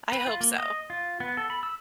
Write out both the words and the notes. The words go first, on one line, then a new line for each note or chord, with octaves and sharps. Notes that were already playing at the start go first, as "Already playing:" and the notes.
I hope so.
B4
F4
A#3
D#5
F4
B3
A4
B5
E6